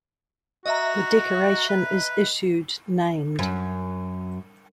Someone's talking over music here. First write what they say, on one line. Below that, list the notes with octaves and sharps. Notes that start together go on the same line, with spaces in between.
The decoration is issued named.
F#4 D#5 E5 A#5
B4
F#2